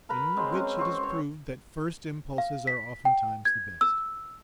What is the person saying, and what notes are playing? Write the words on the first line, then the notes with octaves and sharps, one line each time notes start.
In which it is proved that first Impulses are oftentimes the best.
A#4 B4 A#5 B5
F#3 G#3 C4
C4 C#4 B4
C4 C#6
C#5
F5
B6
G5
G#6
E6